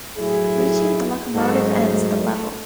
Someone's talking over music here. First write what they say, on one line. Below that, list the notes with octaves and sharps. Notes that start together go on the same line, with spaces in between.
Reaching the locomotive ends the level.
A2 F#3 E4 G#4
G#2 F#3 F#4 A4
A3 C#4
A3
A3